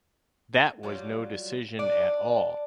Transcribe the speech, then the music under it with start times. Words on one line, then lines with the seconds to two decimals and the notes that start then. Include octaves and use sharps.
That was no decision at all.
0.83 F#3 G3 F4
1.79 D4 D5